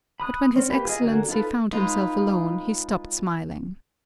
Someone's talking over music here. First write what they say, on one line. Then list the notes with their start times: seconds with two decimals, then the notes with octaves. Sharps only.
But when his Excellency found himself alone he stopped smiling.
0.20 B5 D#6 F#6
0.56 C4 C#4
0.70 A#3 G4 B4
0.85 F4 G#4 D#5
1.02 D3 A#3 F#4 A#4 G#5
1.29 D#4 F4 A4 B4
1.72 G#3 D#4 F4 B4